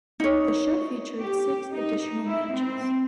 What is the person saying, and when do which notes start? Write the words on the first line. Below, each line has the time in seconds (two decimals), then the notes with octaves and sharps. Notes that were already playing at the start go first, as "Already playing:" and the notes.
The show featured six additional matches.
0.20 D#4 C#5
1.20 G4
1.73 D#4
2.26 E4
2.55 C4